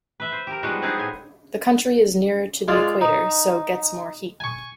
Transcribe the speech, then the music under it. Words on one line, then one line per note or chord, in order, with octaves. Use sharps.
The country is nearer to the equator so gets more heat.
B4 E5
C5
G4 A#4
F3 G3 G#3 B3 D#4 F#4
B3 C4 D#4 G#4 D#5
A2 G#5
G#3 F4 D5 F5
D#4
G#5 C#6